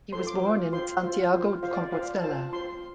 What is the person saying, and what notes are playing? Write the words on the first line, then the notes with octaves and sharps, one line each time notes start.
He was born in Santiago de Compostela.
F4 A4 C5 C6
D6
F4 C5
F4 C5 C6
F4 C5
F4 C5
F4 C5 F5
D5
D5
F4 C5 F5
F4 C5 A5
F4 C5 C6